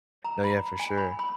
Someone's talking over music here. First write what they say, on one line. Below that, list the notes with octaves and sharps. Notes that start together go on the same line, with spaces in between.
No, yeah, for sure.
A#5
B5
G#5
B5
B5